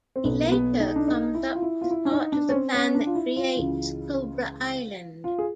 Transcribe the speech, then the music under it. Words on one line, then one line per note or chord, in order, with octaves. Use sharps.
He later comes up with part of the plan that creatres Cobra Island.
C4
B1 B2 B3
A#3
B3
D#4
D4
D#4
E4
F4
E4
F4
E4
D4
D#4
D4
C#4
C4
C#4
D4
F4
E4
F4
C#2 C#3 E3
F4
G#4